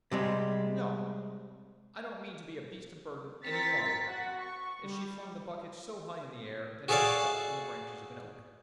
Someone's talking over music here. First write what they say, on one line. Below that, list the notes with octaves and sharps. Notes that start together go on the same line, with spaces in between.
'No; I don't mean to be a beast of burden any longer.' And she flung the bucket so high in the air that it stuck in the branches of an oak.
C3 G3 G#3
C4 A#4 C5 A6 B6 C#7
F#4 F#5
C#6
G3
F#4 G#4 A4 C#5 D5 F5